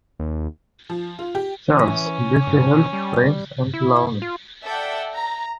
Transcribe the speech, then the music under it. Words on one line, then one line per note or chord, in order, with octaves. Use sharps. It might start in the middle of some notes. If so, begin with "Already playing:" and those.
Charles briefly held Rheims and Laon.
D#2
F3
F4
G4
E3 C#4
G2
B2
G3
E4
F4
A4 D5 E5 F#5 G5
A#5